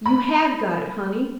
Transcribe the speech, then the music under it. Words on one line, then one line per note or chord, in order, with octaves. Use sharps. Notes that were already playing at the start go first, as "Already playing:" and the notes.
You have got it, honey!
B5